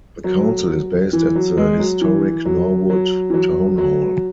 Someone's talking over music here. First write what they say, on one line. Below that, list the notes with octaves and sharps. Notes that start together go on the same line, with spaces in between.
The council is based at the historic Norwood Town Hall.
F#3
E3
F#3
G#3
F#3
E3
F#3
F#3
E3
F#3
F#3